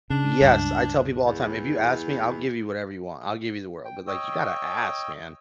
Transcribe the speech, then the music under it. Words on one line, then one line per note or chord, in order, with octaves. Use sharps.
Yes, I tell people all the time, if you ask me, I'll give you whatever you want, I'll give you the world, but, like, you gotta ask, man.
C#3 D4
C#2 G2
E2
G5
C#5 D#5 G5 E6